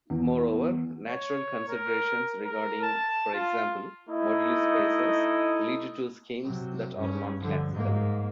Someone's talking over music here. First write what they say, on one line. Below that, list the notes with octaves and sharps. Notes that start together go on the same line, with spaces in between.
Moreover, natural considerations regarding, for example, moduli spaces, lead to schemes that are "non-classical".
E2
C#5
A#4
A#4
A5
F4
A3 D#4 E4 D#5
C3 F#3
G2 C#4
D3 F3
G#2 A#3